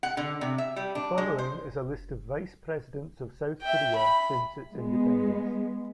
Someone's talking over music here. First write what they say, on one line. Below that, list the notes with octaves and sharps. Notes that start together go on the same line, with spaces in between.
The following is a list of Vice Presidents of South Korea since its independence.
F#5
D3
C3
E5
G3
D4
G#3
C5
E5 G5
B5
G#3 B3